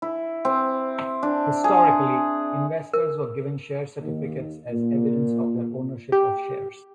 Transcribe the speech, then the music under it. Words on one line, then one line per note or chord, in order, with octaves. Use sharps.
Historically, investors were given share certificates as evidence of their ownership of shares.
E4
C4
D4
G#4
A#4
D#2
A#2
G4